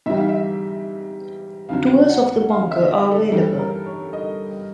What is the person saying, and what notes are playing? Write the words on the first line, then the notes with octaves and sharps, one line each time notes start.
Tours of the bunker are available.
G#2 E3 G3 E5
F5
E5
F2 D3 F#3 F5
F#5
F5
E5
D#5
D5
A4
G2 E3 G3 A4
A#4
C#5
D#5